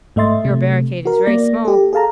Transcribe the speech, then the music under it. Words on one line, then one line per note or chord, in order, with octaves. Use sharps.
Your barricade is very small.
G#2 A3 D#5 E5 C6 A6
C3 A3
F#4 A#4
A#3 D5 A#6
G4 A4
G#4 A4 F5 A5 A#5